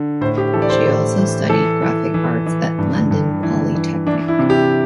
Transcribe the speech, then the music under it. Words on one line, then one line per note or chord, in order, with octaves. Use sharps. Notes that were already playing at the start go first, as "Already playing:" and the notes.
She also studied graphic arts at London Polytechnic.
Already playing: D3
A2 C5
G4
E3 A4
D5
C5
A2
E3
E3 A4
E3
E3
E3
G2
G2
E3
E3
E3 D4
E4
C3
G4